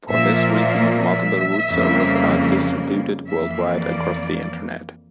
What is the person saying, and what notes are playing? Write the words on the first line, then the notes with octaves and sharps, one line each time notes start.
For this reason, multiple root servers are distributed worldwide across the Internet.
A#2 F3 A#3 E5
E5
E5
F2 C#3 G3 A#3
F2 E3 A#3 E5
D5